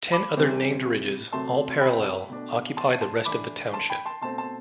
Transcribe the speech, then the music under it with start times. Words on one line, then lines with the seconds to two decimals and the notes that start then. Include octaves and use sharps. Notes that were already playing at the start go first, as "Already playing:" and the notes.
Ten other named ridges, all parallel, occupy the rest of the township.
0.12 B5 D6
0.37 C3 E3 G3 C4
1.33 C3 F#3 A3 A5 C6
1.81 G5 B5
2.30 B2 A3 D4
2.77 A5 C6
3.01 A5 C6
3.25 E3 A3 D4 B5 D6
3.74 A5 C6
3.90 G5 B5
4.05 A5 C6
4.22 B2 A3 C4 A5 C6
4.38 A5 C6